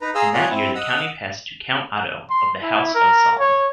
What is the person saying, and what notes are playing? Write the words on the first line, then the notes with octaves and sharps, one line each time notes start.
In that year, the county passed to Count Otto, of the House of Salm.
D#4 B4 A#5
G#4 F5 A#5 C6 D#6 E6
F4 C#5 D5 F#5 G#5 D#6
C4 E4
D#5 F#5 D#6 E6
C6
E4
A#4
C#5